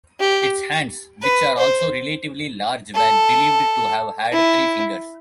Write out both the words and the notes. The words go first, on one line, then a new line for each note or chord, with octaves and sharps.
Its hands, which are also relatively large were believed to have had three fingers.
G4
B4
C5
A4
E4